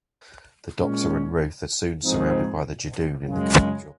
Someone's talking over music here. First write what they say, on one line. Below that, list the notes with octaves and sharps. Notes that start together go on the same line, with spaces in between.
The Doctor and Ruth are soon surrounded by the Judoon in the cathedral.
A#2 G#3 C#4
G#2 F3 C4 D#4 G#4
F#2 C#3 G#3